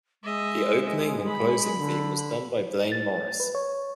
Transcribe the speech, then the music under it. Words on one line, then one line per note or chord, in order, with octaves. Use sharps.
The opening and closing theme was done by Blain Morris.
G#3 D#5 E5
B5
D3
A6
B4
C#5